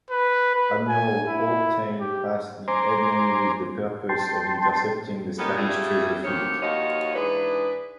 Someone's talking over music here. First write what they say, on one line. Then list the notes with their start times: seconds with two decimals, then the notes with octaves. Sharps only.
Admiral Haultain passed the headland with the purpose of intercepting the Spanish treasure fleet.
0.10 B4
0.55 B4
0.89 G#5
1.28 E4
2.00 G4
2.68 C5 G#5 A#5 C6 D6
4.09 G5 A5 C6
5.39 A#3 B3 C#4 D#4 G4 A4
5.57 G3 A3 C#4 E4 F4 G#4
6.24 D2 D#3 F3 G4 C#5
6.61 D#2 F3 F4 F#4 C#5 D#5
7.15 G#2 E3 D4 G#4 B4